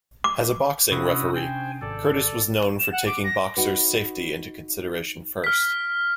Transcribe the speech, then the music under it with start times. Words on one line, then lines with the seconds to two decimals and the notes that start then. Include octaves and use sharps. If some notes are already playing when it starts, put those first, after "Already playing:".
As a boxing referee, Curtis was known for taking boxer's safety into consideration first.
0.24 D6
0.91 C3 C#4 D4 E4 F#4 D#6
1.34 C5 G5 G#5
1.82 G#1 A4 D5
2.79 E7
2.92 F#5
3.06 D6
3.24 A#6
3.57 D#4 F#4 B4
5.44 F6 B6